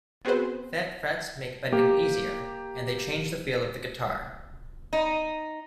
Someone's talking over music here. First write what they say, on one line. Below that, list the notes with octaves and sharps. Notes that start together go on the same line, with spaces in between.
Fat frets make bending easier, and they change the feel of the guitar.
B3 C4 F#4 G#4 B4 C5
A#3 G4
D#4